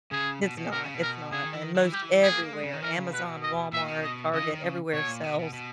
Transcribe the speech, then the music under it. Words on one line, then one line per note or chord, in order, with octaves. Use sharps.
It's not, it's not, and most everywhere, Amazon, Walmart, Target, everywhere sells,
C#3 G#4
B2
B2
B2 A#4
C#3
B2
A#4
C#3 G#4
D#3
E3
D#3
D#3
E3
G3 G4
E3
E3
B3 G#4
A#3
A#3
G#3
C#3
D#3
E3 A#4
C#3
B2 B4
D#5
A#2 E5
B2
D#5
C#3 D#5
E3
D#3
C#3
B2 C#5
A#2
B2
B2
B2